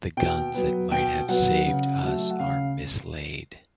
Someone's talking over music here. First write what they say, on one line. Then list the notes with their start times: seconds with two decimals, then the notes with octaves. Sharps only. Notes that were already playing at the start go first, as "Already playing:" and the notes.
The guns that might have saved us are mislaid.
0.17 B2 G5
0.54 F#3 B3
0.92 B2 G5
1.29 F#3 B3 F#5
1.66 C#3
2.03 F#3 A3
2.31 F#5
2.40 C#3 F5